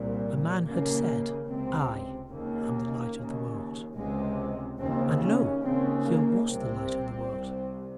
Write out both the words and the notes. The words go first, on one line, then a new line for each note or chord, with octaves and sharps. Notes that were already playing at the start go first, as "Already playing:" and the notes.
A man had said, "I am the light of the world," and lo! here was the light of the world.
Already playing: C2 A#2
D#2 C#3 A#3
C#2 C3 C4
D#2 C#3 A#3
D#2 C#3
C#2 C3 G#3
D#2 C#3 C4
C#4
D#2 C#3 C4
A#3
C2 C3 C4
C2 C3